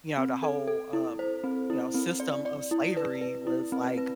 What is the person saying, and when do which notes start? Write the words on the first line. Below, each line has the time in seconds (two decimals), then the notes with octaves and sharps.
you know, the whole, um, you know, system of slavery was, like,
0.17 C4
0.43 A4
0.68 A4
0.93 E4
1.19 C5
1.44 C4
1.70 E4
1.94 C4
2.20 D5
2.45 D5
2.71 E4
2.97 B4
3.21 B4
3.47 E4
3.72 C4
3.98 B4